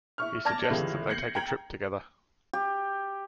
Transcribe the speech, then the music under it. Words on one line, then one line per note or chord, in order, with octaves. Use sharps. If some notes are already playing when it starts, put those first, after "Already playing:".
He suggests that they take a trip together.
E4 C#6 F6
D5 A5 F6 G#6 A#6
G1 C#2 E3 G4 F#7
G6 G#6 A#6 C7 C#7 F#7
G5 A#5 G#6 F#7
G4